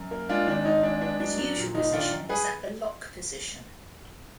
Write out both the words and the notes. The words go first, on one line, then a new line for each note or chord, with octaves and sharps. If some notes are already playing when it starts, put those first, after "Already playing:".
His usual position is at the Lock position.
Already playing: F#2
A#3
G#3 D4 F4
G#1 D4
G#1 D#4
G#3 D4
B3 D4
F#3 D4
F#3 D4
A#2
F#1 D#4
D#3 D4 F4
F#2
G#4 B4